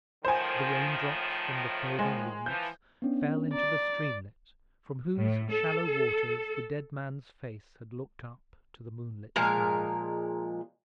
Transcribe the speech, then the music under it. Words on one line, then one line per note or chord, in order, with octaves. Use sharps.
The rain-drops from the fading leaves fell into the streamlet, from whose shallow waters the dead man's face had looked up to the moonlit sky.
A2 D#3 F3 C5 G#5
G#3
E3 F3 G6
B3 C#4 D4
D5 A#5
A2
A4
A#2 F3 G#3 A#4